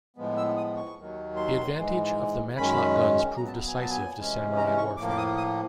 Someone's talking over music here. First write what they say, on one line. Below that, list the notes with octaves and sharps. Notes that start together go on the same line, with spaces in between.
The advantage of the matchlock guns proved decisive to samurai warfare.
A2 F3 G#3 B3
E6
D#6
C#6
D#2 D#3 F#3
C6
G#2 E3 G#3
F#2 D#3 G#3 C#4 B5
A#2 F#3 B3 A#5
A5
G#5
A5
G#5
C3 E3 G#3 C#4
A#5
C#6
A2 F3 A#3 D6
D6
D#6
D#6